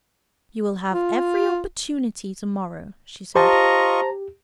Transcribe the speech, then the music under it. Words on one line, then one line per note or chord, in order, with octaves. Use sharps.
"You will have every opportunity to-morrow," she said.
F4
F4 G4 C5 D#5 A5 A#5 C#6